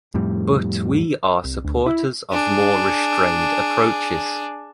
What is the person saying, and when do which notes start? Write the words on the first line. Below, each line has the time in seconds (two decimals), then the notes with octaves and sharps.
But we are supporters of more restrained approaches.
0.14 F2 A2 G3
1.44 C2
1.65 D2
1.86 E4
2.31 D4 G#4